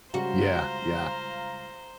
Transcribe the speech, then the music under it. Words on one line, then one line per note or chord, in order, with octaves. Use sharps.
Yeah, yeah.
C#3 G3 G#3 F4 F#4 C5 F5 A#5